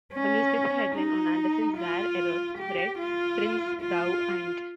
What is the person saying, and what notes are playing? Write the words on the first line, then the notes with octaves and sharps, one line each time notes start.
A newspaper headline on Anderson's rare error read "Prince Thou Ain't".
C#4
D#4
F4
G4
F4
F4